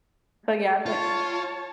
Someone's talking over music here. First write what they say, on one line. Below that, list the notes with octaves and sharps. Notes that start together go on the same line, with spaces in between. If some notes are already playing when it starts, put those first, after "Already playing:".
So yeah, but
F4 C#5 A5